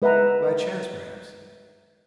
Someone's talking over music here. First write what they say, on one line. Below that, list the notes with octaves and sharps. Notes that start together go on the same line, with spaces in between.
'By chance, perhaps.
G#3 B4 E5 F#5 A#5